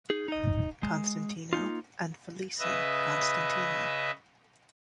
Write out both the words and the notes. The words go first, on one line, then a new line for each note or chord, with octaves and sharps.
Constantino and Felicing Constantino.
D#4 G#4
D#4 D#5
G#3
A#3 C#4 D#4 F4
C#3 B4 D#5 E5